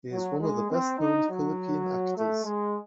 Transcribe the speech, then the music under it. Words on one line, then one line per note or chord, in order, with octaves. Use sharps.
He is one of the best-known Philippine actors.
F#3
G#3
C4
D#4
F#3
A3
G#3